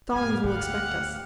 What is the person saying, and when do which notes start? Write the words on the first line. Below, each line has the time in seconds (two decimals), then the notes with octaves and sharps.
Stallings will expect us.
0.12 F2 A2 G4 F5 G#5
0.44 D2 G#2 F#5